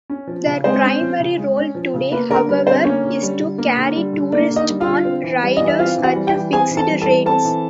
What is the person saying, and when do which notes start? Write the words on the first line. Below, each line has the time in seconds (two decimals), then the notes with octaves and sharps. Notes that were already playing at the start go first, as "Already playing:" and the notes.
Their primary role today, however, is to carry tourists on rides at fixed rates.
0.10 C#4
0.27 F3
0.46 C#3
0.64 G#3 C4 C5
0.84 C#4
1.01 F3
1.20 C#3
1.38 G#3
1.57 C#4
1.75 F3
1.94 C#3
2.12 A#3 B4
2.29 D3 A#4
2.48 G3 B4
2.67 D3 C4 C5
2.85 A#3 C#4 C#5
3.04 D3
3.22 G3
3.40 D3
3.58 A#3
3.77 D3
3.96 G3
4.13 D3
4.33 A#3 D4 D5
4.50 D3
4.56 D#4 D#5
4.69 G3
4.80 F4 F5
4.87 D3
5.05 C4
5.24 E3
5.42 G3
5.57 E3 D#5
5.67 E5
5.79 C4 F4 F5
5.98 E3
6.03 F#4 F#5
6.15 G3
6.27 G4 G5
6.35 E3
6.52 C4 G#4 G#5
6.71 E3
6.77 A4 A5
6.89 G3
7.02 A4 A5
7.07 E3
7.26 C4 A4 A5
7.45 E3